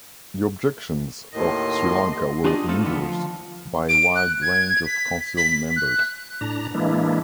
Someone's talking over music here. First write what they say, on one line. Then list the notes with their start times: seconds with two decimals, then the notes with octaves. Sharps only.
The objections of Sri Lanka were endorsed by a wide range of Council members.
1.34 D#2 A2 D#3 D#5 C6
2.45 D4 F4 G4 G#4 D5 D#5
2.68 A3 C4 D#4 F4 A4
2.83 D3 D#3 F3 B3 F4
3.02 F3
3.89 D7
4.15 F#6
4.42 G#6
4.86 B6
5.37 B6
5.76 F#6
6.41 A2 D4 A#5
6.74 E3 G#3 A#3 D4 E4